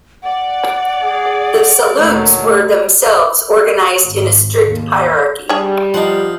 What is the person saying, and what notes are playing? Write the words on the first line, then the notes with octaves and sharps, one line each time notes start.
The salutes were themselves organised in a strict hierarchy.
D5 F#5
G#4
D2 A#2 D#3 F#3 A3
G#1
D#2
G3 D4 G#4
F3 D#4 F#5